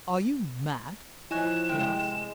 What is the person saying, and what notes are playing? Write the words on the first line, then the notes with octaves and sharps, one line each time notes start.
"Are you mad?" he asked.
F3 E4 C#5 D#5 G#5 F#6 E7
A2 C3 G#3 G5